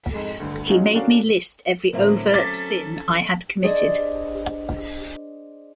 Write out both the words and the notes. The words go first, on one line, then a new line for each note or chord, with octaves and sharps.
He made me list every overt sin I had committed.
F2 G#2 G#3
D2 G2 D3
F#3 G#3 C#4 D#4 F4 F#4
C#4 D4 F#4 A4 A#4 F5
A2 D3 F#3 C4 A#4 D5 E5
C#4 A4 D6 A6 B6
D4 G#4 C5 D5 D#5